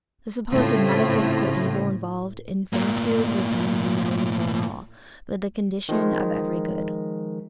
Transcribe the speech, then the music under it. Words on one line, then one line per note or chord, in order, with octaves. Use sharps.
The supposed "metaphysical evil" involved in finitude would then be no evil at all, but the condition of every good.
A2 C#3 A3 C4 F4
A2 A#3
D#3 F3 G#3